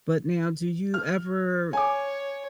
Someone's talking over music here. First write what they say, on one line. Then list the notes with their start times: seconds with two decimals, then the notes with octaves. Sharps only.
But now, do you ever
0.94 F6
1.73 C#5 G#5 D6